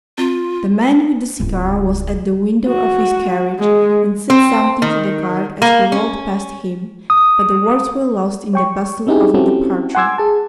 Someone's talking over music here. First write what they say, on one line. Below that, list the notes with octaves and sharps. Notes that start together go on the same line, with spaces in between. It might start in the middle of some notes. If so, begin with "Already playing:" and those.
The man with the cigar was at the window of his carriage, and said something to the guard as he rolled past him, but the words were lost in the bustle of the departure.
C4 F4
D1 C#2
F#4
G#3
C4
D#3
A#3
C#4
D#6
C#5 G5 C#6
C4 C#4 D#4 E4 G4 G#4
C4 C#4 E4 F#4 G4 A4
F#5 G#5 C6 D6 E6 G#6
G#4 A5